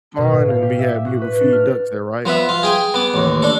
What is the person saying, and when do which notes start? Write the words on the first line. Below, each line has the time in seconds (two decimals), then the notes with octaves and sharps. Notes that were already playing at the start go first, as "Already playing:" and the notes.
pond, and we had we would feed ducks there, right,
0.18 B2
0.31 A2
0.48 F5
0.62 G4
0.79 E5
1.06 F#4
1.21 B4
1.41 D4
1.53 F6
2.25 F3 B3 B4 E5
2.49 F4
2.63 G#4 G5 G#5
2.94 B3 D6
3.14 A1 D#2
3.42 D4 A4